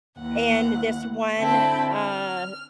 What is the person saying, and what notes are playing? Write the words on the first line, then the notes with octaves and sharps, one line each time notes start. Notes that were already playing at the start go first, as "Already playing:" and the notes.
in this one, uh,
D#2 E3 F#5
D3 C4 E4 G5 A5 B5
F6